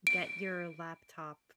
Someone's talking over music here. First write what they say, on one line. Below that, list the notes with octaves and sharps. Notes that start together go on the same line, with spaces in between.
get your laptop
D7